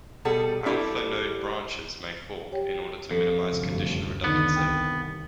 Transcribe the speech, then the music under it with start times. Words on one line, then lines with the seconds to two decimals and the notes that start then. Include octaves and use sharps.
Alpha node branches may fork in order to minimise condition redundancy.
0.25 B2 G3 G#4 A4 F#5 A5
0.65 G3 D4 E4 G4 A4
2.52 G4 C#5 G5
3.11 F2 A4
3.51 F#1 D2 G2 C3
4.24 D3 D#3 B3 D#4 B5
4.56 C2 G5